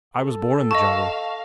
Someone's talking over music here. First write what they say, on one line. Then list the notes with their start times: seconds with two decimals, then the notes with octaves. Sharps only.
I was born in the jungle.
0.17 A4
0.71 D#5 F5 A5 C#6